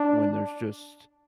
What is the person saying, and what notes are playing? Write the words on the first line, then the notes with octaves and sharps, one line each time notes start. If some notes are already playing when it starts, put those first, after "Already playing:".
when there's just
Already playing: D4